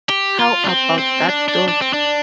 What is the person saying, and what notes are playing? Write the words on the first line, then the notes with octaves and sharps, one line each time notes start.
How about that door?
G4
F4
D4
C4
C4
D4
D4
D4
C4
D4